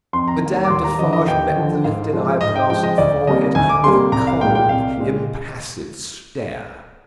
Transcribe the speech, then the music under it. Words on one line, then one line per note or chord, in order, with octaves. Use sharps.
Madame Defarge met the lifted eyebrows and forehead with a cold, impassive stare.
F2 C6
A#5
D#3 A#3
A#5
D6
D#2 C6
A#5
D3 F3 D#5
D#5
D#2 G5
D3 F3
G#2 F5
F3 G#3
G#2 D#5
G5
F3 G#3 G5
D#5
D2 D5
C3 G3 A#3 D#5
D2 G#5
D6
C3 G3 A#3 C6
C2 A#5
F5
A#2 G#3 G5
G5
C2 F5
A#2 G#3